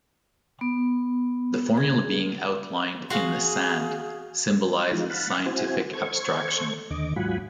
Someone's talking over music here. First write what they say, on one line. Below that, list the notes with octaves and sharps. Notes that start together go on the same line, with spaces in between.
The formula being outlined in the sand symbolizes scientific abstraction.
B3
G#4
F#4 G#4 F5 C6
E3 F3 G#3 D#4 F4
F5 F#5 A5 B5
C4 E4 F#4 C5 G#5
A4 C5 C#6 G#6
D#2 D3 D#5 D6
G#2 F#3 F4 F#5 G#5 B5